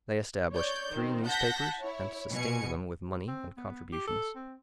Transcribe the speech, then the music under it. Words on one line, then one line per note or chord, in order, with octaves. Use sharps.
They established three newspapers, and sustained them with money and contributions.
C#5 D5 G6
D#3 C4
F#5 A5 G6 A#6 B6
E4 C#5
B2 G#5 C#7
C4
B3
G4
A4
C4